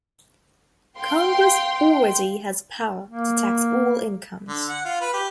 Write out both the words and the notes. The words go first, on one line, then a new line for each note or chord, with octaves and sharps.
Congress already had power to tax all incomes.
F5 G5 C6
A#3
D3
F#5
F4
B4
G4